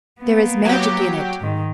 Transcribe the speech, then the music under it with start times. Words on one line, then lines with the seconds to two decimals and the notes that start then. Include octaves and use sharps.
There is magic in it.
0.21 A#3 B3
0.65 F#3 G4
1.40 G#2 D#3